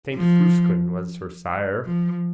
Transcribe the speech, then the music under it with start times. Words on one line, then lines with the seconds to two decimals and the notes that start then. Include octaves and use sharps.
Saint Frusquin was her sire.
0.15 F3
1.85 F3